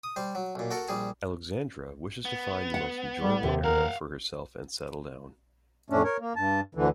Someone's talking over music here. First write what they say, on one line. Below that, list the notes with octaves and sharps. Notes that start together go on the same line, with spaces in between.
Alexandra wishes to find the most enjoyable era for herself and settle down.
D#6
G3 C5
F#3
B1 A#2
F#4 A4 A#4 F#5
A#1 G3 G#4
B3
F#5
G3
D#2 C3
A#4 F5 F#5
F2 A2 A3 C#4 D4
A#4 C#5
A#3
G2 A5
D2 D3 E3